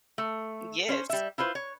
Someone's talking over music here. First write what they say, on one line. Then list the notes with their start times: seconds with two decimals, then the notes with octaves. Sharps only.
Mm, yes,
0.18 A3
0.89 C#4 C5
1.09 G3 E5
1.38 E4 F4 B4 C5
1.55 C#5